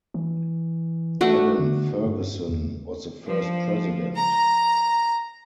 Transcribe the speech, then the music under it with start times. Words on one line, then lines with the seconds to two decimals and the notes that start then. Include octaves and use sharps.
Adam Fergusson was the first president.
0.14 E3
1.21 A3 D4 F#4
1.58 D3
2.06 G2
2.49 E2
3.27 F3
4.15 A#5